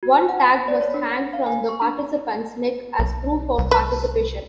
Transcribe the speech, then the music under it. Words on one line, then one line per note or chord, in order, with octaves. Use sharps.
One tag must hang from the participant's neck as proof of participation.
F#4
F#5
A5
B6
D5
C#5
D4
F#5
F5
G#5
C#6
D4
B1
C2
B4